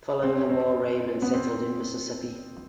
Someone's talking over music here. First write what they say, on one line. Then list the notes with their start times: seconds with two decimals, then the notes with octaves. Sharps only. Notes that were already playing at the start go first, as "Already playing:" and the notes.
Following the war Raymond settled in Mississippi.
0.23 C4
0.37 C#4
0.50 C4
1.22 B3
1.34 C4